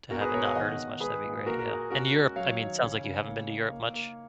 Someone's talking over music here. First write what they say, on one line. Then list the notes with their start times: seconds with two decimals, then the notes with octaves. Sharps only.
to have it not hurt as much, that'd be great, yeah. And Europe I mean, sounds like you haven't been to Europe much?
0.10 B2 F#4 A#4
0.21 G#4 B4
0.34 B2 A#4 C#5
0.45 F5 G#5
0.55 D#3 D#5 F#5
0.79 D#3
1.00 G#3 G#4 B4
1.24 A#2
1.46 A#3 F#4 A#4
1.59 A#4
1.68 A#3 G#4
1.91 C#4 F#4 A#4
2.14 G#3
2.36 F#3 C#5 F5
2.59 D#3
2.81 C#3
3.04 C#3
3.26 A#3
3.49 D#4
3.71 A#3
3.94 A#3